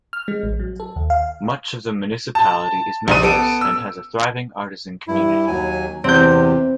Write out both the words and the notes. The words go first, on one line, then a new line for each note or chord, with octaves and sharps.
Much of the municipality is mountainous and has a thriving artisan community.
F6
G#3
A1
F#3
A4
D#2
F5
A5
A#1 D5 D#7
B3 A4 D7
E6
G2 E4
D#2 F#3 G#5
E2 C3 C4 G6